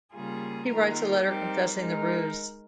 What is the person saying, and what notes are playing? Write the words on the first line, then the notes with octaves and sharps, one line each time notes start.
He writes a letter confessing the ruse.
C#3 G3 A#3 F4 G#4
D#3 A#3 F4 A#4
G3 C4 D#4 G4 A#4
G#3 D#4 A#4